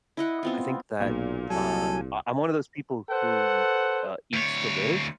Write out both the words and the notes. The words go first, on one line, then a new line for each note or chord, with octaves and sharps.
I think that, uh, I I'm one of those people who, uh, eats to live
E4 D#5 F#5 B5
B3 C4 F4
B1 A#2
C2 F#3 A4 G#5
A4 B4 C5 F#5
D2 C#5